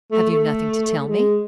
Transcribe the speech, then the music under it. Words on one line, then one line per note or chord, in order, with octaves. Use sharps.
"Have you nothing to tell me?"
A3
A3
G#3